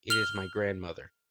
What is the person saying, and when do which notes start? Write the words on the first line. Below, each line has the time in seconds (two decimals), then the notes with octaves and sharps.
It is my grandmother.
0.10 F6 F7 G7